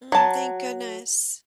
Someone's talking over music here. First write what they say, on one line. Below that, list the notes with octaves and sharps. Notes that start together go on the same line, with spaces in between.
Mm, thank goodness.
F#3 A5